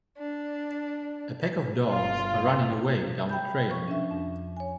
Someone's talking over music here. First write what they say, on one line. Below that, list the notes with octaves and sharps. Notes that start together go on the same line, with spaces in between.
A pack of dogs are running away down a trail.
D4
G1 F4
G5 B5 G6
F3 C#6
C#4 D4 E5
F2 D4
C#5 G#5